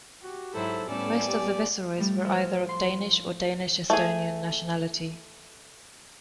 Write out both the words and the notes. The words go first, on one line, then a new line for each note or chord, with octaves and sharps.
Most of the viceroys were either of Danish or Danish-Estonian nationality.
F#4 G4
G#2 F#3 E4 A4 C5
A2 G3 B3 C#4 A4 D5 G#5
G4
A2 G3
F3
C6
A3 G#4